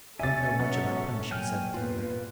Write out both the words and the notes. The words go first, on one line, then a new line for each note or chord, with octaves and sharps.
"I don't know much about punishing," said the tailor.
C#4 A4 C#5 E5 G#5 A6
F#3 B3
A#2 F#3 G5 G#5 F6
E2 A#2 A#3 F4 B4